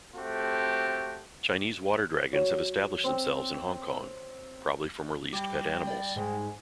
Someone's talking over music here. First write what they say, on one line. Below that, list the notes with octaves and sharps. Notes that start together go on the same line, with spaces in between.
Chinese water dragons have established themselves in Hong Kong, probably from released pet animals.
A3 C4 F#4 G4 A4
F#3
C4
G3 G5 D6
D5
G#2 G#3